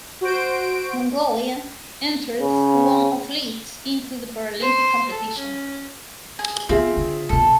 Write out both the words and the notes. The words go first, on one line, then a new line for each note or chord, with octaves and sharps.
Mongolia entered one athletes into the Paralympic competition.
F#4 C5 D7
C#3
C5
A4
C#4
G#4
D#3 B3 C4 F4 G#4 E5
D3
G1 B2 A4